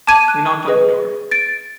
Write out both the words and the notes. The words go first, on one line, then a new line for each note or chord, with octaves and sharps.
We knocked on the door.
A5 D6 G#6 D#7
F#6
G#4 B4 D#5
A6 D7